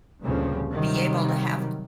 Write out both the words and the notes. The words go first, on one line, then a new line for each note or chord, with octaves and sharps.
be able to have a go
F1 D2 G2 A#2 C#3 F3
C3 D#3 F#3 G3